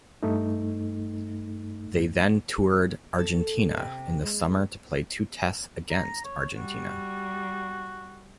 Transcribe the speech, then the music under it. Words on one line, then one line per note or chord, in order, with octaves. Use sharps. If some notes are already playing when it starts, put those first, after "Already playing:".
They then toured Argentina in the summer to play two tests against Argentina.
G2 A3 D#4
A4
C3
G#3
A#5
C#5
G3 F#4